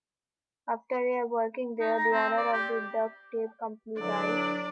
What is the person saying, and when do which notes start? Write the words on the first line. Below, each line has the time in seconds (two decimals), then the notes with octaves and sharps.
After a year working there, the owner of the duct tape company died.
1.80 D#4
1.98 A#5
2.13 C4
2.37 D5
2.53 G4
3.99 D3 E3 F#3 D4 D5